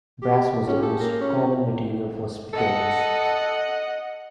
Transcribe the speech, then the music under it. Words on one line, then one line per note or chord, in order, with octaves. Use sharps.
Brass was the most common material for spitoons.
G4
C#4 F4 G4 G#4
A4
A#3
C#4
A4 D#5 F#5